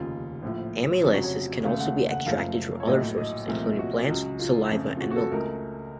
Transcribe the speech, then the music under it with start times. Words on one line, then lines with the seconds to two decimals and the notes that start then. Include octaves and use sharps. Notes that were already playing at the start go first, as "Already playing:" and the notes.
Amylases can also be extracted from other sources including plants, saliva, and milk.
Already playing: F1 D#2 C#3 F4
0.42 A#1 A2 F3
1.04 F1 F2 C#3 F#3 F#4
1.14 F#4
1.23 C#5
1.65 D#2 C#3 A3 F5
1.80 F#5
2.11 F#5
2.26 F#1 F#2 F3 A3 F5
2.80 C#5
2.87 A#1 A2 F#3 A3 D#5
3.18 D#5
3.48 C2 A#2 F3 A3
3.79 F#4
4.09 C#2 C#3 F#3
4.39 F4
4.70 F2 C#3 A3
4.96 F4
5.01 F#4
5.11 F#4
5.16 A4
5.32 C#2 C#3 A3 A#4